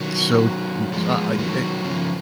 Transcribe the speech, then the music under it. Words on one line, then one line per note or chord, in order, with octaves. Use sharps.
So n I e eh
D#3 F#3
F3 G#3
F3
D#3 F#3
C#3 F3